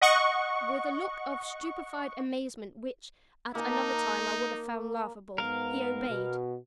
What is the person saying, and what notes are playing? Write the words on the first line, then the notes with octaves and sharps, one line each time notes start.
With a look of stupefied amazement which, at another time I would have found laughable, he obeyed.
D#5 F#5 C#6
A#3 D#4 A5 A#5
G#2 B3 A#4 F5
B2